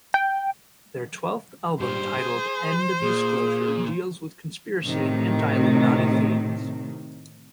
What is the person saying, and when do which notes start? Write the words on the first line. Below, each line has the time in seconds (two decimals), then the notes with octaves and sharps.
Their twelfth album titled End of Disclosure deals with conspiracy and anti-Illuminati themes.
0.14 G5
1.80 G#2 G3 C5
2.18 G#4
3.02 A#2 G#4
4.85 A2 C3 D#3